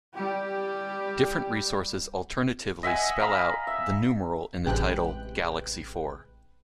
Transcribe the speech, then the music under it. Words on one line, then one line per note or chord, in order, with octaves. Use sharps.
Different resources alternatively spell out the numeral in the title: "Galaxy Four".
G3 G4
D#5 E5 F#5 G#5
F5 A#5 B5
E5
A1 C3 G#3 B4 G5 F#6